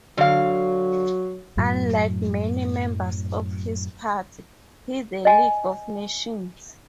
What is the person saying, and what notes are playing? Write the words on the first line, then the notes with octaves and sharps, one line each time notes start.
Unlike many members of his party, he the League of Nations.
D3 F#3 F5
F#2 A2 F#3
D#5 G#5